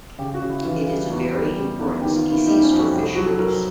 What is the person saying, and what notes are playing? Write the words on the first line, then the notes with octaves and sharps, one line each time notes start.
It is a very important species for fisheries.
C#3 G4
F#4
C#3
E4
E3 F4
G3
E2 F#4
G3
G3
E2
D#3 G4
F4
D#3
E4
G3 D#4
C#4
F2
F#4
C2 G4
F#3 F#4
A4
F#3 A#4